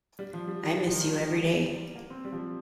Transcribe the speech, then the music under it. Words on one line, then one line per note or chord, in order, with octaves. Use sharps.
I miss you every day.
G3
F3
G3
G3
G3
F3
D#3
F3
G3
A#3
C4
G3
F3
G3